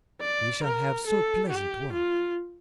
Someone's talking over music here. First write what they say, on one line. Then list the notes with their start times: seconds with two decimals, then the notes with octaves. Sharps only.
We shall have so pleasant walk.'
0.21 D5
0.63 A#4
1.07 A4
1.49 G4
1.92 F4